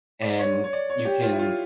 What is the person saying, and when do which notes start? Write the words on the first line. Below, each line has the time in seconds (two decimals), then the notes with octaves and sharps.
and you can
0.22 D5
0.39 C#5
0.64 C#5
0.73 D5
0.90 C#5
1.05 G4
1.22 F4
1.33 E4
1.39 F4